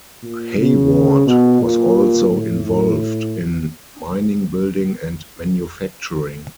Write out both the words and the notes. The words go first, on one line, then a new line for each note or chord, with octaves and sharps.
Hayward was also involved in mining, building and manufacturing.
A#2
C#3
B2
A#2
A2
A2